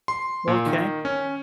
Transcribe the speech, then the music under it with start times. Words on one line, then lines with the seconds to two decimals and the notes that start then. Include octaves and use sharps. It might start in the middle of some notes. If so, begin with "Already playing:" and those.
Well 'kay.
0.08 C6
0.48 A#2
0.66 D#3
1.05 C#4